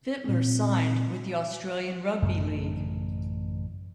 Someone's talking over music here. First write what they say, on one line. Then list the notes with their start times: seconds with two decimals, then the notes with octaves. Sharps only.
Fittler signed with the Australian Rugby League.
0.24 A#2 C4
2.22 A1 F#2 C#3 A3